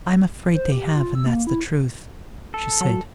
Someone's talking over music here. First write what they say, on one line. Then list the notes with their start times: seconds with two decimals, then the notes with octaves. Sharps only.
'I am afraid they have, and that's the truth,' she said.
0.54 C5
0.72 G4
0.96 F4
1.15 E6
1.26 A#3
1.47 E4
2.54 A4
2.81 F#3